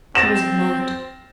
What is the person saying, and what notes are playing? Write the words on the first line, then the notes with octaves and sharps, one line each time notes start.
"I wasn't mad."
C4 A6 A#6 E7